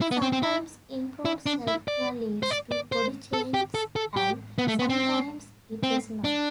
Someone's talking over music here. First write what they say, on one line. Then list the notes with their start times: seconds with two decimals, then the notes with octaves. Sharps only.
Sometimes improved self-care leads to body changes and sometimes it does not.
0.01 E4
0.11 B3
0.22 C4
0.32 C4
0.43 E4
1.25 E4
1.46 D4
1.67 E4
1.88 D5
2.43 C5
2.51 D5
2.72 D5
2.92 C5
3.33 A4
3.54 G4
3.74 A4
3.96 A4
4.17 G4
4.58 B3
4.68 A3
4.79 B3
4.90 C4
5.83 C4
6.24 D4